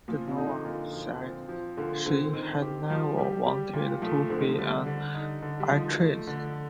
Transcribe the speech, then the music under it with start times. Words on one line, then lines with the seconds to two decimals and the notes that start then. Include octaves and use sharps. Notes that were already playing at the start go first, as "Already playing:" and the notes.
Donovan said she had never wanted to be an actress.
0.08 A#2 F3
0.27 C3
0.37 D#4
0.46 D3
0.65 A#2
0.93 F3
1.21 C4
1.48 F3
1.77 A#2 D3
2.05 D3 C4
2.33 D#3 C4
2.61 G4
2.90 F3 G4
3.17 G3 G4
3.46 G3 G4
3.73 A#2
4.02 F3 A3
4.30 D3 C4
4.39 D#3
4.49 F3
4.58 D3 G3
4.87 D3
5.14 D#4
5.42 D3
5.60 G3
5.71 F3 D#4
5.99 A3
6.27 D3